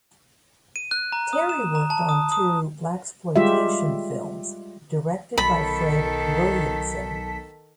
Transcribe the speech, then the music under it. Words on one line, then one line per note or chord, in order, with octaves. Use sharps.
Terry worked on two blaxploitation films directed by Fred Williamson.
D#7
F#6
A#5
D#6
E7
A#5
A5
D#6
D#6
G3 G#3 F4 G4 E5
B1 D#3 A4 A5 B5 B6